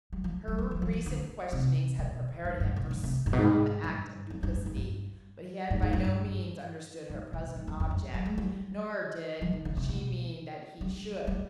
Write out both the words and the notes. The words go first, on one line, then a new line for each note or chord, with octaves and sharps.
Her recent questionings had prepared him for some act of duplicity, but he had by no means understood her present object, nor did she mean that he should.
G3
F3
G3
G3
F3
F3
F3
D3
C3
B2
G#2
G2
B2
D3
C3
G2
B2
G#2
G2
F2
G2
G#2
G#2
G2
G#2
G#2
G2
G2
G#2
B2
G#2
F2
F2
G2
G3
G#3
G3
F3
D#3
D3
C3
B2
G3
G3